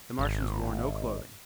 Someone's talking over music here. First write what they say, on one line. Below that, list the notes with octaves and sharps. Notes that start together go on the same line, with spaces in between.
The Martians wore no clothing.
G#1